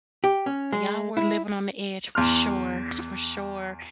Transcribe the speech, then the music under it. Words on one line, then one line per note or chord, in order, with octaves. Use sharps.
Y'all were living on the edge for sure for sure.
G4
C#4
G#3
E4
E2 C6 F6